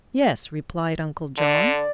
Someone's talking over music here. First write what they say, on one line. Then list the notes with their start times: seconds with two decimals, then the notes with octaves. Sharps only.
"Yes," replied Uncle John.
1.38 D3 D5